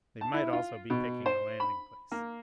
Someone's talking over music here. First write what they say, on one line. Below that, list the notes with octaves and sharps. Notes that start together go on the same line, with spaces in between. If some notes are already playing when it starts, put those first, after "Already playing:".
They might also be picking a landing place.
A5
E4
F4
B2
C5
B5
A#3